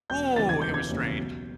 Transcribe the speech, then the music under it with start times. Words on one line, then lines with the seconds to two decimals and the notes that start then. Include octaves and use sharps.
Ooh, it was strange.
0.10 E1 G6
0.36 D#2 C#3 E3 A6
0.49 G#6
0.62 E1 G6
0.74 G#6
0.90 D#2 C#3 E3
1.18 B1